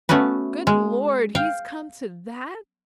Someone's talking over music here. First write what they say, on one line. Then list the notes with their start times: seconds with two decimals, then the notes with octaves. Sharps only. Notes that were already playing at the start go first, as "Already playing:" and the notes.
"Good Lord, he's come to that!"
0.09 A3 B3 C#4 F#4 B4
0.67 G#3
1.35 F5 G5